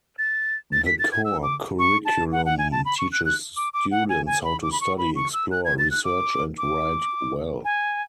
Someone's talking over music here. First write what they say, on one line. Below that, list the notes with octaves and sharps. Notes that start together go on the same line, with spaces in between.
The core curriculum teaches students how to study, explore, research, and write well.
A6
A6
B6
A6
G#6
E6
D6
C#6
A5
F#5
F#5
G#5
A5
B5
C#6
F#6
F#6
D6
D6
F#5
G#5
G#5
B5
D6
B5
C#6
B5
C#6
E6
F#6
G#6
A6
F#6
D6
D6
G#5